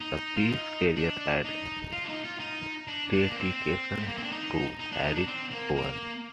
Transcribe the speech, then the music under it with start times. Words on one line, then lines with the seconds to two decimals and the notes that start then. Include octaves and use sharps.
The piece carries a dedication to Harriet Cohen.
0.01 D#4
0.37 F4
0.49 D#4
0.96 D4
1.44 D#4
1.92 F4
2.04 D4
2.09 D#4
2.25 F4
2.40 D#4
2.87 D4
3.13 D4
3.29 A#3
3.35 C4
3.99 A3
4.07 A#3
4.16 C4
4.23 D4
4.32 D#4
4.79 D#4
4.92 D4
5.03 D#4
5.15 D4
5.27 C4
5.51 A#3
5.76 A#3